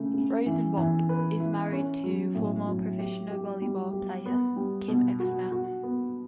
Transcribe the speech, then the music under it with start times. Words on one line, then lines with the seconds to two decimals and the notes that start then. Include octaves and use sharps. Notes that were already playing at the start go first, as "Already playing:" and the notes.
Rosenbach is married to former professional volleyball player Kim Exner.
Already playing: C#3 A3
0.14 C#3
0.46 E3
0.77 E3
1.09 B4
1.40 E4
1.72 C#4
2.04 F#3
2.35 A2
2.67 F#3
2.98 G4
3.30 G4
3.62 G3
3.93 G4
4.26 B3
4.56 G3
4.88 B2
5.20 F#4
5.52 F#4
5.83 B3